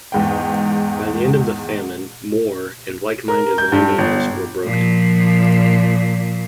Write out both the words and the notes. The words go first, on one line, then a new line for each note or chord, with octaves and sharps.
By the end of the famine Moore, and like-minded landowners, were broken.
E2 G#2 G5
A#4
G6
G2
G1
A#2 F3